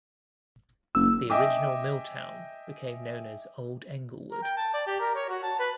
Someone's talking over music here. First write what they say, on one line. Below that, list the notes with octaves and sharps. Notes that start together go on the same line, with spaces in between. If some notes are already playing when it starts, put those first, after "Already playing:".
The original milltown became known as "Old Englewood".
F#1 E6
D#5 E5 G5 G#5 D6 D#6
A#4
G5
A5
D5
G4
A#4
C#5
F#4
A5
B4